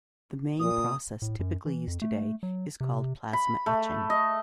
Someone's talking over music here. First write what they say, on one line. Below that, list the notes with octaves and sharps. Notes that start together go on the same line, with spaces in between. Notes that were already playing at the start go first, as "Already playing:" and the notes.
The main process typically used today is called plasma etching.
A#2 D#6
A2
F#2
E3
F2
A3
F#3
C3
B5
A3
D#5